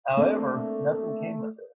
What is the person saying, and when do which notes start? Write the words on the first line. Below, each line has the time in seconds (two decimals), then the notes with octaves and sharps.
However, nothing came of this.
0.17 A3 A#3 C4 D4